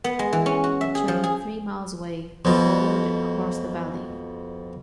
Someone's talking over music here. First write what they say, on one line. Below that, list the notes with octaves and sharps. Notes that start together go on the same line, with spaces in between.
A train, three miles away, roared across the valley.
B3
G#3
E3
C#4
F#4
E5
G#4
F3
G#4
F2 B2